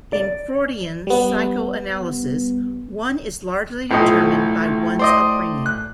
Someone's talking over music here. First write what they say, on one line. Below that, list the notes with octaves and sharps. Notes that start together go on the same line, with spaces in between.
In Freudian psychoanalysis, one is largely determined by one's upbringing.
D5
G3 B3
B1 A2 F3 D#5
C5 D5 D#5
F#6